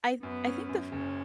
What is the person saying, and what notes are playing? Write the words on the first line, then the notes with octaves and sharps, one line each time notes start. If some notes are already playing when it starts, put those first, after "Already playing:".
I I think the f
F#2 B3
C#4
F#2
F#1 C#4